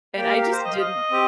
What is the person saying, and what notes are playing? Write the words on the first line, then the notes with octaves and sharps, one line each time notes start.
And I just didn't
A#3 G4 G5
F5
A#4
C5
D#5
F5
D#5
C4 G4